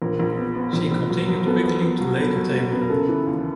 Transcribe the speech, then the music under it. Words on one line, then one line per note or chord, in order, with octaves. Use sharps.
She continued quickly to lay the table.
A#1 A#4
A#1
B3
B3
A#1
A#1
F#3
F#3
B3 A4
B3
B3
F#3
B3
F#3
F#3
B3
A#4
C#3 A4
E3
D#2